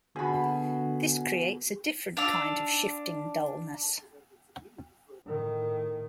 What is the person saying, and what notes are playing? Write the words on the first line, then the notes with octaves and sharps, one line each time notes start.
This creates a different kind of shifting dullness.
B2 D3 F#4 G#4 B5
D4 F5 E6
A2 D#3